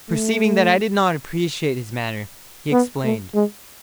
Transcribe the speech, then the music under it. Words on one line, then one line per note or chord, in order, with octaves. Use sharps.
Perceiving that I did not appreciate his manner, he explained.
A3
B3
A3
G#3